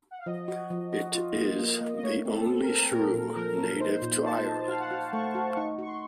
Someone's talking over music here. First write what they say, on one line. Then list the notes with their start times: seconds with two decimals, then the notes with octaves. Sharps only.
It is the only shrew native to Ireland.
0.11 F#5
0.19 F5
0.26 F3 D#5
0.48 F#4
0.70 F3
0.93 F#4
1.15 F4
1.36 A#3
1.59 A#3
1.81 A#3
1.97 D#5
2.03 A3 C#5
2.25 C4
2.32 A4
2.47 C4
2.62 A#4
2.69 C4
2.91 A#2 A#4
3.14 A#2
3.36 F3 A#4
3.58 A#3
3.80 D#4 C5
4.02 A#2
4.24 D#4 A5
4.46 D#4
4.68 F#4 F5
4.80 F#5
4.91 F#4 F5
5.13 A3 C#6
5.35 F#4
5.56 D#4 C#6
5.79 F#4 C#6
5.87 C6